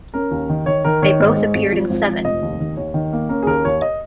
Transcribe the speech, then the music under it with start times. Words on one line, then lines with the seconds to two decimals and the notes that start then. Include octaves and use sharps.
They both appeared in seven.
0.14 C#4 A#4
0.31 D#2
0.49 D#3
0.66 D#3 C#5
0.84 D#3 A#4
1.02 D#3 C#5
1.20 G#2
1.37 G#3
1.54 G#1
1.71 F3
1.90 G#1
2.07 F3
2.24 F1 D#5
2.42 D#2
2.60 D#3
2.77 D#2 C#5
2.94 D#3
3.13 A#3
3.29 C#4 A#4
3.43 G#4
3.47 D#2 A#4
3.65 D#2 C#5
3.82 D#5